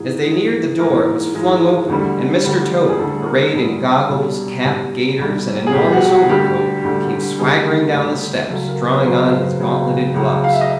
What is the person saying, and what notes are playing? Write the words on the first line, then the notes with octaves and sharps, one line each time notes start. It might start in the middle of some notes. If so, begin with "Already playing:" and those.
As they neared the door it was flung open, and Mr. Toad, arrayed in goggles, cap, gaiters, and enormous overcoat, came swaggering down the steps, drawing on his gauntleted gloves.
Already playing: G#2 E3 G#3 G#4
G#2 E3 G#3
G#2 E3 G#3 A#4
G#2 E3 G#3
D2 D3 G3
D2 D3 G3
G#4
D2 D3 G3 A4
A#4
D2 D3 G3 A4
C2 B2 G3
C2 B2 G3
C2 B2 G3
G#4
C2 B2 G3 G4
F#4
F#4
D2 D3 G3 G4
D2 D3 G3
D2 D3 G3 G#4
D2 D3 G3
C#2 C#3 F#3 A4
A#4
B4
C#2 C#3 F#3 C5
C#2 C#3 F#3
C#2 C#3 F#3
F5
E5
D#5